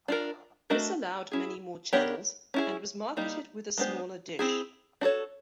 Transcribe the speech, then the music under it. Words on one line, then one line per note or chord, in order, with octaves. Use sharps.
This allowed many more channels and was marketed with a smaller dish.
D4 F4 A#4
A3 D4 F#4 A#4 D#5
C#4 E4 G#4
B3 D4 G4 A#4 C#5
C#4 E4 G#4
G3 A#3 D#4 G4
G#3 B3 D4 G4 C5
C4 E4 G#4
D4 F#4 A4 C#5